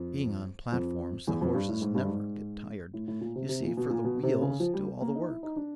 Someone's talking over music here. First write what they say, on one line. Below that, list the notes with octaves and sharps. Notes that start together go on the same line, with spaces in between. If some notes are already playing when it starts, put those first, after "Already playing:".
"Being on platforms, the horses never get tired, you see, for the wheels do all the work."
Already playing: F2
F2
E2
F2
G2
A2
G#2
G2
G#2
A2
A2
A#2
C3
C3
A#2
B2
A#2
B2
C3
C#3
F3
G3
A#3
D#4
E4
D#4
D4